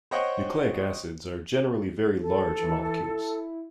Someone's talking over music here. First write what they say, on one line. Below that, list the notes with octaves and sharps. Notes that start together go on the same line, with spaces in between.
Nucleic acids are generally very large molecules.
C5 C#5 D#5 F#5 G5 C#6
A4
E3
E4